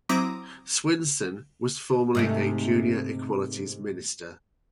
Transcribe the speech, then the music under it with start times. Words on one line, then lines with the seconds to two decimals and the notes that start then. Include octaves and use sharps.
Swinson was formerly a junior Equalities Minister.
0.09 F#3 C4 E4 A#5 D6 D#6
2.15 G#2 C3 A3